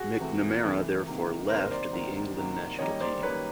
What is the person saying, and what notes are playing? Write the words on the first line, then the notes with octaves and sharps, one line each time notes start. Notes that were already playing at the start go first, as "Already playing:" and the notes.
McNamara therefore left the England national team.
Already playing: F#4 G#4
C3 E3 A3
C3 E3 A3
C3 D#3 F#3 A#3
C3 D#3 F#3 A#3 A#4 C5
C5 D5
C3 D#3 F#3 A#3
C3 D#3 F#3 A#3
F#2 D#3 G3 A#3 C#5 D#5
C5 D5
F#2 D#3 G3 A#3 B4 C#5